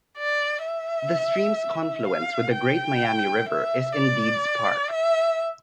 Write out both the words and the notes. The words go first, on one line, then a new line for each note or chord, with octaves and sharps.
The stream's confluence with the Great Miami River is in Deeds Park.
D5
E5
F5
G5
E5
D5
E5